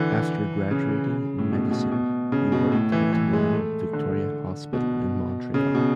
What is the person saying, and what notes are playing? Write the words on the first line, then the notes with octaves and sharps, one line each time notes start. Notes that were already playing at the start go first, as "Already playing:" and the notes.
After graduating in Medicine he worked at the Royal Victoria Hospital in Montreal.
Already playing: D3 E3
C#3
A2
B2
B2
B2
C#3
B2
A2
E3
E3
G#3
A3
D3
B2
C#3
B2